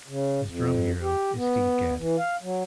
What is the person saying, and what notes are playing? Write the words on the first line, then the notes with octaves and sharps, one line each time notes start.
His drum hero is Steve Gadd.
C#3
F2
G4
B3
E3
F5
F#3